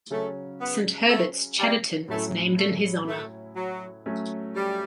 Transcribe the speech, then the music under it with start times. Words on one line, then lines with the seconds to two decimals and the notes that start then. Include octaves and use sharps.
Saint Herbert's, Chadderton is named in his honour.
0.11 C#3 F#3 A3 C#4
0.61 B3
1.09 A3
1.59 G3
2.08 A2 F#3 A3 C#4 E4
2.58 A3
3.07 A3
3.56 F#3
4.06 F#3 A3 C#4
4.55 G3